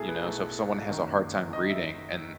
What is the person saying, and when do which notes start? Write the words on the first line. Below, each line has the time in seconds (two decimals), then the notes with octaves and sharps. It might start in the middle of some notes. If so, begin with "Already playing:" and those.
you know, so, if someone has a hard time reading and
Already playing: B1 B2 A3 E4 G#4 A4
0.08 B4
0.25 B1 B2 A3 E4
0.89 F#1 F#2 D#3
1.53 F#1 F#2 D#3 D#5
1.70 E5